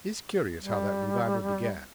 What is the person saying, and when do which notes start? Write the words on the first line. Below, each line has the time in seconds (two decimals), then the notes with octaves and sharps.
It is curious how that revival began.
0.59 G3